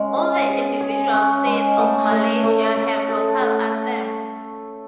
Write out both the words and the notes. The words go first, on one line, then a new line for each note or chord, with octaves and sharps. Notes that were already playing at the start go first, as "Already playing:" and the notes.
All the individual states of Malaysia have local anthems.
Already playing: G#3 C#4
G#4
G#4
G#4
C#4
G#3
A3
A3
A3
A3
A4
A4